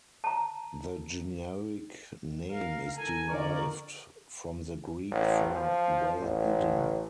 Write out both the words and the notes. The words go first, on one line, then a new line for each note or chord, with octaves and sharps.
The generic name is derived from the Greek for "well hidden".
A5 A#5
A#4 F5
A4 G#5 A#5
F2 D3 A#4 D5 C#6
A1
F3
A1